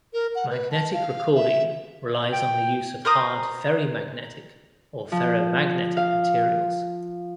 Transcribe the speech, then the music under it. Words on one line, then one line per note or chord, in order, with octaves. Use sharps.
Magnetic recording relies on the use of hard ferrimagnetic or ferromagnetic materials.
A#4
F#5
B4
A5
F5
E5
G5
A#4 C5 A#5 D#6
F3
F5